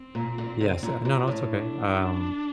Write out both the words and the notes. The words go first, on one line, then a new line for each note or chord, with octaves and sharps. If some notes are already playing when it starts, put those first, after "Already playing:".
Yes uh, no, no, it's okay. Um,
Already playing: C4
A#2
A#2
C3
A#2 D3
A#2
A2
D4